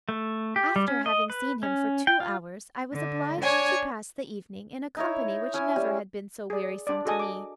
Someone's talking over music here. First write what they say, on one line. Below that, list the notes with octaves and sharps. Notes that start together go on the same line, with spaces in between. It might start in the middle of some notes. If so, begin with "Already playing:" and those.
After having seen him for two hours I was obliged to pass the evening in a company which never had been so wearisome to me.
A3
G4
G3
C#4
D#5
B4
C#4
G5
F4
D3
D4 C#5 G#5
D#4 E4 C#5
C#4 E4 G#5
G3
G#4 D5
D4 D5
F#4 G#4 A4 D#5 G#5 D#6
D6